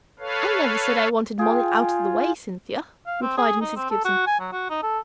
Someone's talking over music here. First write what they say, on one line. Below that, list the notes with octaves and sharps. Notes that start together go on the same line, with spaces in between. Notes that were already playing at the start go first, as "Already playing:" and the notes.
"I never said I wanted Molly out of the way, Cynthia," replied Mrs. Gibson.
A4 B4 C#5 F5
F4 G#4 G5
F5
C4
G#4
D#4
C4
A4
F#4
G#5
F#3
F#4
D#4
A4